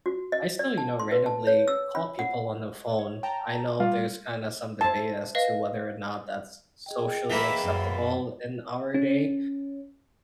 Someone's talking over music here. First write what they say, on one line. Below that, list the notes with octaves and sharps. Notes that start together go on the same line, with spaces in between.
I still, you know, randomly call people on the phone. I know there's kinda some debate as to whether or not that's socially acceptable in our day,
F#4
D#5
D5
A5
C6
B4
A5
C#5
E6
B5
F#5
C#5
G5 A5 A#5
G3 F4
E4 C5 A5
B4 D#5 F5
G#4 D#5 G5
E3 A#3 E4 E5
F#2
C#4